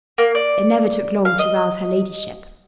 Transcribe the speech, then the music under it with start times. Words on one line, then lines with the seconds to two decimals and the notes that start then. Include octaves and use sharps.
It never took long to rouse her ladyship.
0.18 A#3
0.35 D5
1.25 F5
1.39 D#5